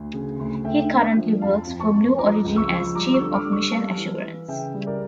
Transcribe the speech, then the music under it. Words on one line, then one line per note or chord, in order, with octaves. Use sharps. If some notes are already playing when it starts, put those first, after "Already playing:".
He currently works for Blue Origin as chief of mission assurance.
Already playing: D2
C#3
D2
A3 E5 G5
D4
F3
F2 F5 A5
F2
A5 C#6
F2
F3 A#5 D6
C#2
C#6 E6
F3
G3 A#5 D6
C#6 E6
D3
D6 F6
G3
C#6 E6
G3 F5 A5
E3
E3
C#3 E5 G5
G3
A#4 D5